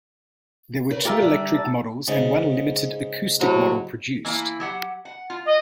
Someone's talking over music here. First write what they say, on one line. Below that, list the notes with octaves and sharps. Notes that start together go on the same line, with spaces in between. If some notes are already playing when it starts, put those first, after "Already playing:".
There were two electric models and one limited acoustic model produced.
C#3 A#4 B4
F4 G4 A4 A#4 E5
D3 G3
A5
G#2 C#3
A2 C3 F#3
E3 A#3 E4
F#3 G4 F#5
F#5
F4
D#5